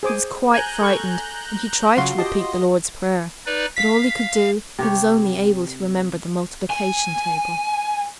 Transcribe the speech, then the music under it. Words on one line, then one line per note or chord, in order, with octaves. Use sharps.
He was quite frightened, and he tried to repeat the Lord's Prayer; but all he could do, he was only able to remember the multiplication table.
G#4 C5 D6
G#5 A#5 F#6 G6
A4 C#6
C#3 F#3 F4 F#4 C6
G4 D#5 A5
D#4 B4 D5
F5 B6
C3 G4 C#5
G#5